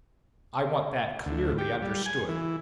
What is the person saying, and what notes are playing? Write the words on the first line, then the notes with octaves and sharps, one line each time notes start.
I want that clearly understood.
D2
G4
G3
G#5
E3